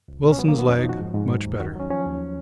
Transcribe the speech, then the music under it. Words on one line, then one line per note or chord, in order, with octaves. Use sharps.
Wilson's leg much better.
C#2
B2
C#4
F#3 B3
A#3
D#3 B3
F2 C#4
D#4
F3
F#4
G#2
G#2
F#3
D#2
D#3 F#4
F#3 C#4
F3 C#4
D#2